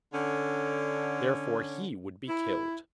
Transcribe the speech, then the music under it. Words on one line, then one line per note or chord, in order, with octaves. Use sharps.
Therefore he would be killed.
D3 C#4
E4